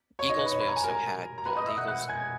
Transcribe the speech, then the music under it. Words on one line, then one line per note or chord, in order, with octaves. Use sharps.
eagles, we also had bald eagles
C#5 C#6
D#4 D#5
B4
C#5
B5
A#5
G#5
A#4 A#5
A#5
B4 B5
D#5 D#6
E5 E6
F#5 F#6
F#5 F#6
G#5 G#6